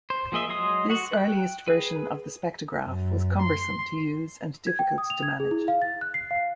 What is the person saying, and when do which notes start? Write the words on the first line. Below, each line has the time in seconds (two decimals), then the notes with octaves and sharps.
This earliest version of the spectrograph was cumbersome to use and difficult to manage.
0.10 C5
0.32 F3 A#3 G#4 D#5 E5
0.49 F#3 G#3 D#5 C6 D#6
0.90 F#4 F#5
1.13 G5 F#6
1.68 G#4 B4
2.86 F#2
3.42 C6
4.67 G#6
4.79 G5
4.98 D#6
5.10 F7
5.23 G#6
5.40 G#4
5.51 E4
5.68 F5
5.82 A6
6.01 F#6
6.14 C7
6.31 F5